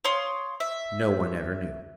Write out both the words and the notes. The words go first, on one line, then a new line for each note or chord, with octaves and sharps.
No one ever knew.
C#5 F5 C6 D#6
E5